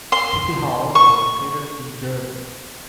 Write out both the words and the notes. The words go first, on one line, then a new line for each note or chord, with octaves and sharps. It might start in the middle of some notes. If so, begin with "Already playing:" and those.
City hall was located in Joure.
C6
C#6